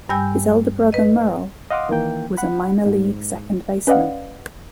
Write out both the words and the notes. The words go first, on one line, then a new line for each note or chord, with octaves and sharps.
His elder brother, Merle, was a minor league second baseman.
G2 G3 G#5 E6 G6
B4 D#5
D#5 F5 F#5 C6 D6 D#6
D#3 E3 A#3 G5
F#5 B5
G#2
C#4 B4 D5 D#5 F5 F#5